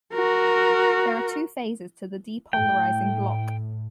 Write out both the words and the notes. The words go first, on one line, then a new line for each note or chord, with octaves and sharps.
There are two phases to the depolarizing block.
F#4 A#4
A2 G5